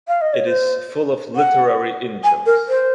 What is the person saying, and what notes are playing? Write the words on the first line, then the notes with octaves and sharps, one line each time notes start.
It is full of literary in-jokes.
F5
D#5
C#5
C5
F#5
G#5
A#4
C5